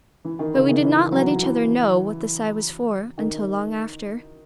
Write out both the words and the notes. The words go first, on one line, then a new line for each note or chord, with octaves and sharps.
But we did not let each other know what the sigh was for, until long after.
E3
D#3
C#3
D#3
E3
F#3
E3
D#3